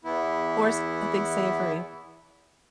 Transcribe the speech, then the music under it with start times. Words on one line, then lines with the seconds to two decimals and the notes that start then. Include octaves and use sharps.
or something savory.
0.05 E2 E3 B3 E4